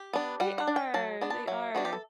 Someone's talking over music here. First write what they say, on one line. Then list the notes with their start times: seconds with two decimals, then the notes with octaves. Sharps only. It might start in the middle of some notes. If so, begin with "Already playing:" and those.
They are, they are.
Already playing: G4
0.13 B3 D4
0.40 G3 F#5
0.58 F#5
0.67 D4
0.76 G5
0.94 F#3 A5
1.21 B3 D4
1.30 A5
1.47 F#3 E5
1.75 B3 D4 F#4
1.85 G4
1.93 A4